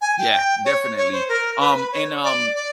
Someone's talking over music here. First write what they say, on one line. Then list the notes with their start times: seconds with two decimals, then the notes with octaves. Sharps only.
Yeah, definitely, um and, um,
0.01 G#5
0.18 G5
0.33 G5
0.65 C#5
0.97 C#5
1.12 C5
1.29 A#4
1.60 B4
1.76 B4
1.92 C#5
2.24 D5
2.55 D5